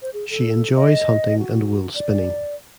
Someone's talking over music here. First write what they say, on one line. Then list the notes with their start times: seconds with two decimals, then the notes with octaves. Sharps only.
She enjoys hunting and wool spinning.
0.02 C5
0.13 G#4
0.30 A4
0.76 D#5
1.39 F#4
1.95 D5